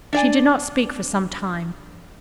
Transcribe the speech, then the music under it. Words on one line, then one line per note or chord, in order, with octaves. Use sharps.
She did not speak for some time.
D4 D5 G#5